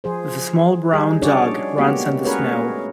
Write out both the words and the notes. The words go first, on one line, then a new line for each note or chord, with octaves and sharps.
The small brown dog runs in the snow.
F3 G#4 C5
G3 D#4 G#4
C#4 D4 F#4 G#4 C#5 D5
G#3 A#3 B3 F#4 G4 C#5
C#4 F#4 G#4 A#4 B4 C#5
A3